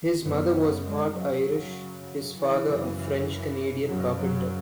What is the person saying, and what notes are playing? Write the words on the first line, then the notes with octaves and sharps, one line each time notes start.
His mother was part Irish, his father a French Canadian carpenter.
F#2 C#3 B3
G#3
F#3
F#2 C#3
E3
F#2 C#3
E3
F#2 C#3 F#3
F#3